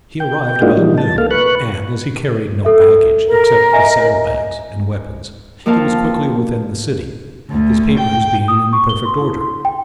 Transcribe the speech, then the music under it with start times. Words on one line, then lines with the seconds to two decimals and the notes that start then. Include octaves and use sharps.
He arrived about noon, and, as he carried no baggage except his saddle bags and weapons, he was quickly within the city, his papers being in perfect order.
0.20 G5
0.62 G#3 A#3 D4 D#4 F4 F#4
0.77 E3 F3 G3 D#4
0.98 A5
1.18 A#3 A4 F5
1.31 B4 C#6 F#6
2.65 A4 E5
3.28 A#4
3.73 D#5 E5 G#5
5.66 F2 A#3 A#4 F5 A5
7.51 D2
7.99 G5
8.48 D#6
8.73 C#6
8.89 G7
9.05 C6
9.21 E4
9.41 C6
9.65 G5